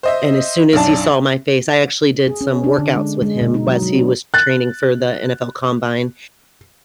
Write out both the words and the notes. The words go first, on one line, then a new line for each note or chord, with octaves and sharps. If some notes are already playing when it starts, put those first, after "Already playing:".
and as soon as he saw my face I actually did some workouts with him whilst he was training for the NFL Combine,
C5 D#5 E5
B1 F#2 D4 A5
G#4
C#4
D4
D3
G#3
G#3
B2
D#4
F#3
F#3
D4
F#6 A6